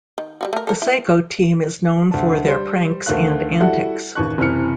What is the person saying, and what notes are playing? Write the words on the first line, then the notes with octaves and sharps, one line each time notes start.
The Saeco team is known for their pranks and antics.
D#3
G3 F4 F#4
A3 A#4
A4 A#4
E4
D2 A5
G3 C5
D2 D#3 A3 F5 F#6
G3 E4 F#4 A4 E5 F#5
A1 D#2 C#6 F#6
F#1 C3 E3 F6 C#7